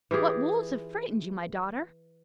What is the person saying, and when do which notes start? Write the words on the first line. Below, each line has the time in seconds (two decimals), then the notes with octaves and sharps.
What wolves have frightened you, my daughter?
0.11 E3 F4 G4 G#4